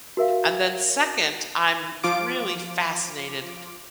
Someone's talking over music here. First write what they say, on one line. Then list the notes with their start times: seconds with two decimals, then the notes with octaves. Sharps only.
And then second, I'm really fascinated
0.17 F#4 A#4 E5 F5
2.03 F3 F4 D6 D7